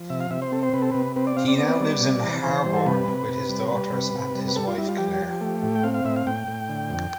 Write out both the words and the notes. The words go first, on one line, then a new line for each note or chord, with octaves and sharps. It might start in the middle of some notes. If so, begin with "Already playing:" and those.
He now lives in Harborne with his daughters and his wife Claire.
Already playing: F3
C3 E5
F5
C3 E5
C5
C4 A4
C5
C3 B4
A4
C3 B4
C4 B4
D5
C4 F5
D5
B3 D5
G3
C3
E3
E3 C5
G3
A4
C3 B4
C3
C3
G3
G3
C3
C3
G3
B4
G3 A4
F4
G3 E4
F4
F3 G4
F3
A3
A2
G5
C4 F5
F5
A2 E5
F5
A2 G5
A2
D3
F2